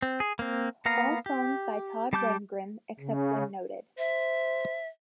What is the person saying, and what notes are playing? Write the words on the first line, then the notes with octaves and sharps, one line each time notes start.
All songs by Todd Rundgren; except when noted.
C4
G#4
A#3 C4
A#3 B3 F5 A#5
G4
G3 G4 A5 D6 G6
C#3
C5 E5